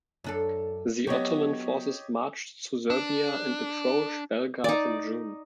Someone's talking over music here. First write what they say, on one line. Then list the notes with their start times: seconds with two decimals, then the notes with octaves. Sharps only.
The Ottoman forces marched through Serbia and approached Belgrade in June.
0.24 F#2 D4 A4
1.07 F#3 B3 G4 C#5 D#5
2.90 D4
4.64 D#4 D5